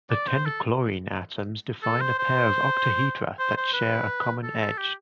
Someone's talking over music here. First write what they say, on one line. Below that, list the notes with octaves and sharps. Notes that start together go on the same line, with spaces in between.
The ten chlorine atoms define a pair of octahedra that share a common edge.
D5
C5
A4
A4
C5
C5
C5
C5
B4
A4
A4
G4